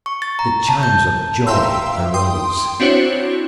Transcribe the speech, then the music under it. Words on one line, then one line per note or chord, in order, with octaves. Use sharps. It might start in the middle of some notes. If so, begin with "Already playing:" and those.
The chimes of joy arose.
C#6
A6
A#5
A5
G6
E5 F5 G5 A#5 C6 E6
G5 C6 D#6
C4 D4 E4 F#4 C5 C#5